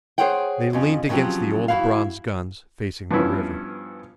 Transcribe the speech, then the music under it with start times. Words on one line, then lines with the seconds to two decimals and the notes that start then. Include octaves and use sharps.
They leaned against the old bronze guns, facing the river.
0.18 G#4 A4 C5 C#5 F#5 G5
0.73 F2 C#3
1.09 C#3 F3 F#3 C4 G4
1.68 E2 F3 E4 F#4 F5
3.11 G2 F3 B3 C#4 E4